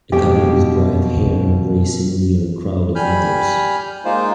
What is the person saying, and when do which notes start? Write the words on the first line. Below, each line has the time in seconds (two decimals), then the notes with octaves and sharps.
A couple with bright hair embracing near a crowd of others.
0.12 F2 B2 G4
2.95 G3 G#5 B5 F6 G6
4.05 G#3 A#3 D#4 F4 C5